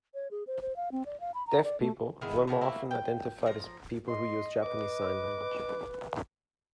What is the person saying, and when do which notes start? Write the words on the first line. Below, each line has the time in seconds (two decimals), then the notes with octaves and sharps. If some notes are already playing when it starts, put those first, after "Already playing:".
"Deaf people" were more often identified as "people who use Japanese sign language".
0.14 C#5
0.31 G#4
0.47 C5
0.62 C5
0.76 F5
0.92 C4
1.06 D5
1.20 F5
1.34 B5
1.47 A#5
1.64 D5
1.80 A3
2.21 D#3 G#3 B3 E4
2.47 C3 D#3 F3 G#3
2.61 A3 A#3 E4 F#4
2.91 G5
3.46 F3 A#5
4.08 D#5 C6
4.63 B4 D6